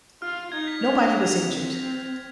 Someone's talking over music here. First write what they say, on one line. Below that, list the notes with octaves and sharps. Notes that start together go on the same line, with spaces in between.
Nobody was injured.
F4 F6
F6
D#4 G#6
B6
D4 F7
C4
F7